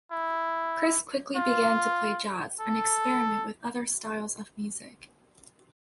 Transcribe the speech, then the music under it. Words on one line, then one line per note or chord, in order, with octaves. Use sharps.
Chris quickly began to play jazz and experiment with other styles of music.
E4
F4
A4